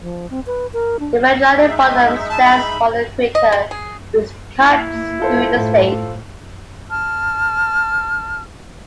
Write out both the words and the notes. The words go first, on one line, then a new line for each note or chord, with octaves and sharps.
The red line in bottom stands for the equator, which cuts through the state.
F3
C4
B4
A#4
D4
G#3 D#4 E5
A5
B5
D#5
G#3
G#4
A#3 E4
F4 A4 C5
A2
A5 F6